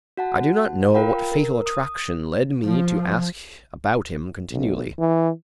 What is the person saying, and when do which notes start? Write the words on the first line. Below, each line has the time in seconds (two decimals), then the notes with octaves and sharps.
I do not know what fatal attraction led me to ask about him continually.
0.17 F#4 F#5 A5
0.94 F4 A#4 F5 G5 B5
1.32 A#4
1.66 D#6
2.65 F3
4.51 B1
4.99 E3